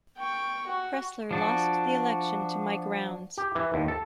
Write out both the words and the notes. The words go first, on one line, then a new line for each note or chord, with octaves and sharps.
Pressler lost the election to Mike Rounds.
G5 C#6
F#4
F3 D4 F#4
G4
E3
D#2
A4